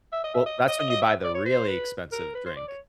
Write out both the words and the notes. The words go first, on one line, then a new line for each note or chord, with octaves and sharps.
Well, that's when you buy the really expensive drink,
E5
D#5
E5
D#5
D#5
D#5
D#5
E5
D5
C#5
C5
B4
A#4
B4
C5
D5
C#5